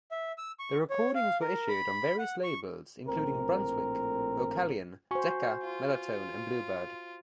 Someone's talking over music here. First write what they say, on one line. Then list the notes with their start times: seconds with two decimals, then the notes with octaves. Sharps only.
The recordings were issued on various labels, including Brunswick, Vocalion, Decca, Melotone and Bluebird.
0.11 E5
0.38 E6
0.59 C#6
0.90 C#5
1.15 F5
1.41 A#4
1.69 B5
2.19 F#5
2.44 C#6
3.07 A#1 A2 C4 A#4
5.11 F#4 C5 G#5 C#6
5.63 F4